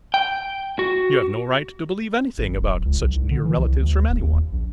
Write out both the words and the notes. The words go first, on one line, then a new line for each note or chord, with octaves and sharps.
You have no right to believe anything about such near relatives from any one.
G5
F#4
G#1
D1
C#2
B1
C2
D3
E3
C2
D2
D#1
D#2
A#1